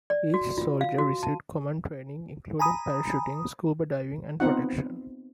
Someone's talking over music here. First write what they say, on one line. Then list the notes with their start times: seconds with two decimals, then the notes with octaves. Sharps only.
Each soldier received common training including parachuting, scuba diving and protection.
0.10 D5
0.34 F#4
0.58 F4
0.81 F5
0.99 F#4
1.23 A5
2.59 G#5 A#5 B5 D#6
4.40 B3 C4 D#4 F4 F#5